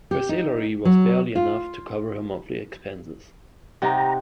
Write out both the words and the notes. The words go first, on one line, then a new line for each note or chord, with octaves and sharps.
Her salary was barely enough to cover her monthly expenses.
G4
D#4
F#3
F4
C3 D#4 G4 C5 F#5 G5 A#5